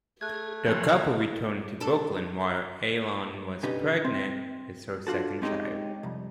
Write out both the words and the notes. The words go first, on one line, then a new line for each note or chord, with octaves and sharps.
The couple returned to Brooklyn while Aylon was pregnant with her second child.
A3 G#4 F#6 G#6
F1 F3 F#3
D4 A4
B2 D3 C#4 D#4 G4 B4
C4
D4 F4 F#4 A4
G#3 C4 C#4 D#4 G4 G#4
C2 F2